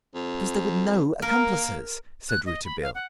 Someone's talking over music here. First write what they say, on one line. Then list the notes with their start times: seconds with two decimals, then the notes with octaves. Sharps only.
"Because there were no accomplices!" said Rouletabille.
0.14 F2
1.22 A#3 A#4
2.29 F#6
2.46 D#5
2.65 B5
2.82 F5
2.95 F#5